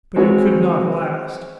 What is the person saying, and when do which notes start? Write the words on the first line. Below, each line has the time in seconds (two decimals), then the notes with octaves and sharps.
But it could not last.
0.16 G#3 C4 F#4 B4 C#5